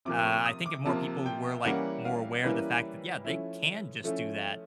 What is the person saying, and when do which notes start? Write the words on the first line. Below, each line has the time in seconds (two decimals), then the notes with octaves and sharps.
uh, I think if more people were, like, more aware of the fact yeah, they can just do that,
0.05 C3 F3 A#3 D6
0.26 C#6
0.46 D#6
0.66 D6
0.85 C3 F3 A#3 A5
1.26 G5
1.65 E3 G3 A#3 C#4 E4 F#5
2.05 F5
2.44 E3 G3 A#3 C#4 E4 B4
3.25 F3 A3 C#4 E4
4.04 F3 A3 C#4 E4